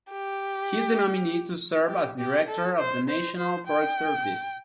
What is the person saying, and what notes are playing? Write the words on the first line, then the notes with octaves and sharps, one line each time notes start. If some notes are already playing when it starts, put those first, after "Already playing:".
He is the nominee to serve as director of the National Park Service.
G4
G4
G4
A4
C5
C5
C5
G5